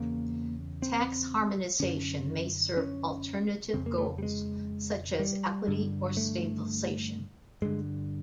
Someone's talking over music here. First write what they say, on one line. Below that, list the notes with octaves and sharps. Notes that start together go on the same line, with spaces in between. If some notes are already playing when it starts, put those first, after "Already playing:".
Tax harmonization may serve alternative goals, such as equity or stabilization.
Already playing: E2 C#3 A#3
C4
F#2 D3 C#4
C#4
F2 C#3 C4
A#3
A3
G3
G#3
G3
G2 D3
A3
G2 D3 G#3